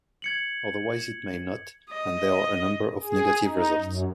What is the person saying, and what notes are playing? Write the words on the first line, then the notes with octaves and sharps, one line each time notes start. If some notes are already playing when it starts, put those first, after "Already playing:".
Otherwise it may not, and there are a number of negative results.
G#6 C#7 F#7
D#5
G#4
D#4
F#2